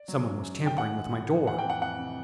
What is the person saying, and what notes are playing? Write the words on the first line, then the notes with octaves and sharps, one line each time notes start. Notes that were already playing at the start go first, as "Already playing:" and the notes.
Someone was tampering with my door!
Already playing: D5
F#3
F#2
F#2
D#3
G5
G#3 F#5
A2
A2
F3
E3 F#5
G5
F2
F#5
F2 F#5
C3